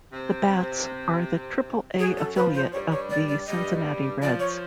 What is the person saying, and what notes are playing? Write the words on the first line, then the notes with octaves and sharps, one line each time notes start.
The Bats are the Triple-A affiliate of the Cincinnati Reds.
C3 C4
C3 C4
F#2 F#3 G#4
A4
F3 B4
C5
G2 G3 C#5
C#5
D5
D5
G2 G3 D#5
F3 D5
C#5